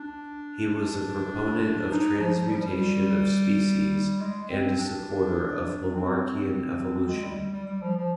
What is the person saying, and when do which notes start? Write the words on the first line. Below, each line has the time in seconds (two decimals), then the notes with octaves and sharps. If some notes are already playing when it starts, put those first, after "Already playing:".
He was a proponent of transmutation of species and a supporter of Lamarckian evolution.
Already playing: D4
0.75 D4
1.91 D#4
2.19 F3
2.48 G3
2.56 F3
2.63 G3
4.21 G#3
4.50 C4
4.79 D4
5.94 C4
7.09 G#3
7.24 G3
7.53 G3
7.67 G3
7.82 F3
7.97 F3